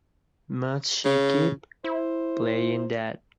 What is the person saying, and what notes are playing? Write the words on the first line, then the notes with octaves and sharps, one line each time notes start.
Must she keep playing that?
C#3
E4 C5